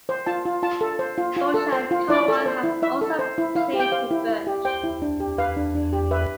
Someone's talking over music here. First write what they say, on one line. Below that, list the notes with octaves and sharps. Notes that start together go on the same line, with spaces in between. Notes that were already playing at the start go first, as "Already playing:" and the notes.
Bush and Cowan have also played with Burch.
C5
F4 A5
F4
F4 A5
A4
C5
F4
F4
A4
C5
F4
E4 D5
A4
C5
E4
E4 E5
A4
C5
E4
E4 F5
G4
G5
C5 F5
E4
E4
G4
C5 G5
E4
D4
G4
B4 F5
D4
D4
G4
B4 E5